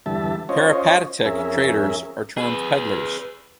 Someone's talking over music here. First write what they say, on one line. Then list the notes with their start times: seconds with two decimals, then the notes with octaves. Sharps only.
Peripatetic traders are termed pedlars.
0.06 E2 G2 D3 G3 E5 A5
0.49 C#4 F4 C5 C#5 D#5
1.25 F2 C#4 G#4 A#4 E5
2.37 G#4 B4